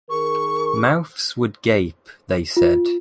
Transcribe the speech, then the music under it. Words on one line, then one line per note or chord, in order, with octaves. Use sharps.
"Mouths would gape", they said.
D#3 G#4 A#4 C#6
F4